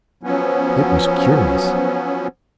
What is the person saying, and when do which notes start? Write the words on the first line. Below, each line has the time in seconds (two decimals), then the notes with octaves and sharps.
It was curious.
0.23 F3 F#3 B3 C#4